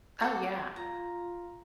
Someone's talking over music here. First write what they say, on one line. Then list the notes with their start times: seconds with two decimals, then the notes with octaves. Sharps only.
Oh, yeah.
0.22 F#4 A4 D5
0.76 F4 A#5